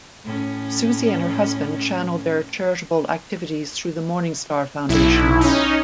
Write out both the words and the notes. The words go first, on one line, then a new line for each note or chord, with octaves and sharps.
Susie and her husband channel their charitable activities through the Morningstar Foundation.
A2 C#4
B1 E4
C#4 D#4